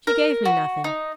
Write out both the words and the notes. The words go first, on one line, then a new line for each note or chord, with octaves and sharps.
'She gave me nothing.
A#4
F#4
D#4